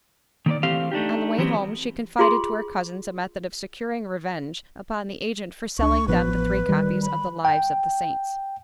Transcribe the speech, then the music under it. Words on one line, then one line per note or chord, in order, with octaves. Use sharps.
On the way home she confided to her cousins a method of securing revenge upon the agent for selling them the three copies of the "Lives of the Saints."
D#3 A#3 B4 D5
E3 A3 C4 G4 F5
A3 D4 D#4 G4
E3 F#3 B3 C4 G4
F4 G#4 C6
C#2 D4 C#6
A1 F3 B3 B4
D#3 G3
B5
G5